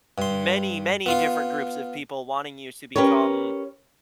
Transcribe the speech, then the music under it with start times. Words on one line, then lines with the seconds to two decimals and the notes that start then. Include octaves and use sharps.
many, many different groups of people wanting you to become
0.18 G2 C6
1.06 B3 F4 F5
2.96 C#4 G4 A#4 B4 C#5